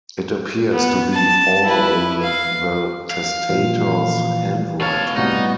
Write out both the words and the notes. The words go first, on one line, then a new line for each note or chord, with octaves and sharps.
It appears to be all in the testator's handwriting.
B3
A5
E4 B4
F5
F5
A#2 E3 F3
B2 C#5 F5 A5 C#6
A2 C3 G3 B3 D#4 F#4